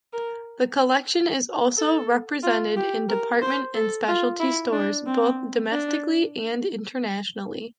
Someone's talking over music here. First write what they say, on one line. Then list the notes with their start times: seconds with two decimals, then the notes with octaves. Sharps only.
The collection is also represented in department and specialty stores both domestically and internationally.
0.13 A#4
1.77 A4
2.43 F4
2.76 G4
3.08 A#4
3.41 C5
3.75 A4
4.07 F4
4.40 E4
4.72 D4
5.06 C4
5.71 D4